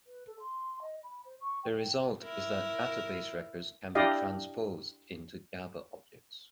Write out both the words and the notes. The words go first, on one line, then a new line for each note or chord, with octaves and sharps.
The result is that database records can be transposed into Java objects.
B4
A4
C6
D#5
B5
C5
C#6
G5
E4 A#4
D4 E4 G4 D5 D#5 F5